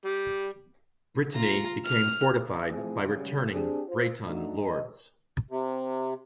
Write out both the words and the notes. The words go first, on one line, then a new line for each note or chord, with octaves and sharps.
Brittany became fortified by returning Breton lords.
G3
F4 A#5
F6
F3 A3 C4 E4 G#4
F#2 C#3 G3 C#4
C4 D4 G4 G#4
F4 C5
A3 D4 D#4 F#4
D#5
C3